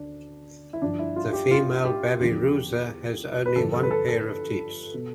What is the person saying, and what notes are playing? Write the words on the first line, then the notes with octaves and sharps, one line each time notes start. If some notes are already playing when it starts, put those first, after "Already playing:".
The female babirusa has only one pair of teats.
Already playing: D2 D4
E4
G2 D3 F3 D4
E4
F4
G4
F4
G4
E2 D3 F3
B4
G2 D3 F3 A4
A4
B4
A4
A4
B2